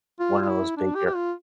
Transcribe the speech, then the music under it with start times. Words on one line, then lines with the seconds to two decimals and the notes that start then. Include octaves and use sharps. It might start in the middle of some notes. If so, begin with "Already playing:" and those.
one of those bigger
0.19 F4
0.42 F4
0.47 E4
0.77 D4
0.95 G4
1.06 G4
1.15 F4